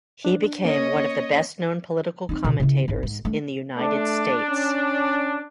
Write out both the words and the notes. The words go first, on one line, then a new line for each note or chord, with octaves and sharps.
He became one of the best-known political commentators in the United States.
D4
A#3 C#4 C#5 D#5
C4 D#4
B2 D3
C#3 E4
G#1 A2
G#2
A3 D4
A3 D4
C#4